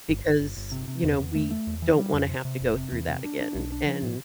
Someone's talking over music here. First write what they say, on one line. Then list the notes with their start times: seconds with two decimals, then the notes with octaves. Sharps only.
because, you know, we don't wanna have to go through that again, and
0.09 G1
0.25 G1
0.40 G1
0.57 G1
0.72 C3
0.88 C3
1.03 E2
1.20 E2
1.35 A3
1.51 A3
1.67 E2
1.82 E3
1.99 G3
2.14 F2
2.29 C3
2.45 C3
2.60 F1
2.77 C3
2.92 E2
3.08 C3
3.25 D4
3.40 D4
3.55 B1
3.72 D4
3.86 F3
4.03 A2